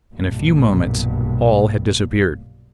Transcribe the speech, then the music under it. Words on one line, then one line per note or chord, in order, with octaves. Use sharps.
In a few moments, all had disappeared.
B1 G2 A#2